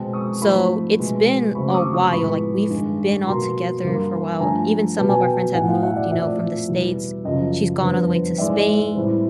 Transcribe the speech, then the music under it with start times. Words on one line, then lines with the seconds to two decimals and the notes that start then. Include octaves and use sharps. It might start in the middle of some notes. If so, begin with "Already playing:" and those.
so it's been a while, like, we've been all together for a while, even some of our friends have moved, you know, from the States. She's gone all the way to Spain,
Already playing: B2 G#3 C4 G5 A5
0.13 C#6 D#6
0.42 G#2 F3 A3 C4 B5 C#6
0.99 B2 G#3 B3
1.55 C#3 F#3 A3 C4 B5 C#6
1.69 D6
1.74 C#6 D#6
1.93 C#6 D#6
2.12 A2 F3 G#3 B3 B5 C#6
2.69 G2 D#3 G#3
3.26 B2 F#3 A#3 A#5 C6
3.84 G2 D3 G3 A#3
4.40 G2 D3 F3 A3 G#5 A#5
4.97 B2 F#3 B3 A5
5.09 G#5
5.20 G5 A5
5.54 A2 F#3 A3 F#5 G#5
5.68 F5 G5
5.82 E5 F#5
5.96 D5 E5
6.11 A#2 F3 A3 C4 D5 E5
6.68 E2 B2 G3 B3
7.24 F#2 C#3 F3 D#5
7.81 F2 D3 G3 B3
8.38 G#2 E3 G#3 D5 E5
8.95 A2 E3 G3 C4